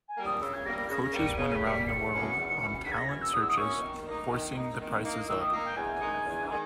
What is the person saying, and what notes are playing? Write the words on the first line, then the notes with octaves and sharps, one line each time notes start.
Coaches went around the world on talent searches, forcing the prices up.
G#5
G3 A#3
D#6
C#3 E6
G#6
G3 A#3 A#6
A#6
C#3 A#6
A#6
G3 A#3 C#7
D#7
C#3 D#7
B6
G3 A#3 C#7
B6
E2 C#7
B2 A#3 C#4 E4
E2
B2 A#3 C#4 E4
E2 B6
G#6
A#6
B2 A#3 C#4 E4 G#6
E6
E2 D#6
E6
D#6
B2 A#3 C#4 E4 C#6
D#3
A#3 D#4
D#3
A#3 D#4
D#3
A#3 D#4
D#3 E6
D#6
A#3 D#4
G5
E2 G#5
D#3 G#3 D#4
E2
D#3 G#3